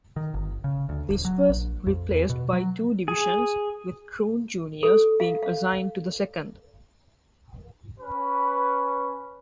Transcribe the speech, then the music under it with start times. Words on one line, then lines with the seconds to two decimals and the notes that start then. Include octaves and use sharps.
This was replaced by two Divisions with Troon Juniors being assigned to the Second.
0.16 D#3
0.34 G1
0.64 C#3
0.89 D2
1.09 D1
1.25 F#3
1.49 A#1
1.87 F2
2.11 E2
2.29 B2
2.53 F#3
3.08 G#4
4.83 A4
5.20 F5
5.43 F5
8.01 C#4 B4